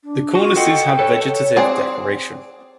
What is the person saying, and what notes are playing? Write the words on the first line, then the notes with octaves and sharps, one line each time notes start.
The cornices has vegetative decoration.
D4
F4 F#4
A4 D#5 F#5 G5
A4 B4 C#5
C4 G#4 D5